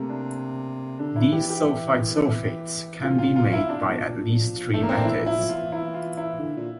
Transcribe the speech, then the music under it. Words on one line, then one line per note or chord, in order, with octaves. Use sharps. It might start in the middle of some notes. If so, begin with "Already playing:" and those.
These sulfite sulfates can be made by at least three methods.
Already playing: C3 A3 A#3
D4
D3 D4
E4
E3 G4
G4
D3 F4
C3
D3 F4
F4
E4
C3 D4
A#2
A2
A#2
F3
E3 A3
A#3
C4
D4
E3 E4
F3
E4
F3
F4
E3
E4
F4
E4
D3
A#2